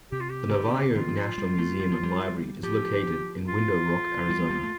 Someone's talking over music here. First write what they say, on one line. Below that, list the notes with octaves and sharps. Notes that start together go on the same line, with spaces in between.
The Navajo Nation Museum and Library is located in Window Rock, Arizona.
C3 G4
F4
G4
C3
D3
D#3 F4
G3
F3
G3
A3
G3
F3
G3
F3 G4
F4
G3
G3
A3